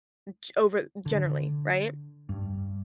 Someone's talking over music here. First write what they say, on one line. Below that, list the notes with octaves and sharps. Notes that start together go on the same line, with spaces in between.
g over generally right?
D3
G2